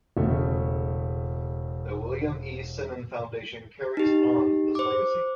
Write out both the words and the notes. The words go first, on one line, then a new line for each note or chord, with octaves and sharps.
The William E. Simon Foundation carries on this legacy.
E1 C#3 A3
D#4 G4
C5 D6